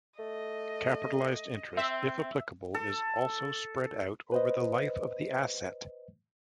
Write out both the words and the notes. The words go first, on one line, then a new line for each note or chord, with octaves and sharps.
Capitalized interest if applicable is also spread out over the life of the asset.
A3 D#5
C4 E5
A4
B4 C5 D#5